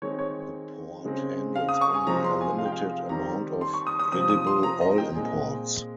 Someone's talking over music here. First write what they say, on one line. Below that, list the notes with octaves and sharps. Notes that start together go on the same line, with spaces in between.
The port handles only a limited amount of edible oil imports.
D#3 G#3 C4 C#5
C#5
C#3 G#3 C4
F5
D#6
C#6
G#5
C3 F3 G#3 C4 A#5
C6
G#5
F5
G5
F5
D#3 G3 C4 A#5
C6
C#6
D#6
D#6
C3 F3 C4 D#6
D#6
C6
A#5
D#5
G5
A#2 G#3 C4 G#5